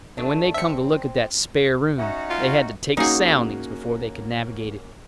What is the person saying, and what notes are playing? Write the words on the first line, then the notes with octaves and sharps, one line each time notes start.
And when they come to look at that spare room they had to take soundings before they could navigate it.
F#3 A3 D4
C4 E5 C#7
C#4 D#4 F#4 E5
F4
A#3 C#4 D#4 F#4 G#4